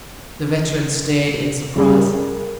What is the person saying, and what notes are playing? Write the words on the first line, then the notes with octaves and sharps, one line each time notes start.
The veteran stared in surprise.
C#3 G3 G#4
A#4